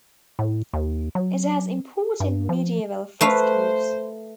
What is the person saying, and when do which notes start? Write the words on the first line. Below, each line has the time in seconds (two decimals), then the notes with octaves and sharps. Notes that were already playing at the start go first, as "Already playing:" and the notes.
It has important medieval frescoes.
0.39 A2
0.73 D#2
1.15 F#3
2.20 G2
2.49 F3
3.21 A3 B4 C5 F5